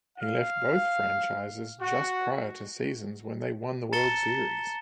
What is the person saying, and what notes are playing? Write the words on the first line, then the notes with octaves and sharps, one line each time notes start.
He left both franchises just prior to seasons when they won the World Series.
F5
F#4
A5 A#5 A6 C#7 E7 G7